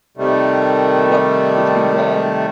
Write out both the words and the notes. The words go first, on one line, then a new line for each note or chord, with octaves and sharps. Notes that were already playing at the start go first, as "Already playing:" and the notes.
what is being wrong.
C3 D#3 G3 A3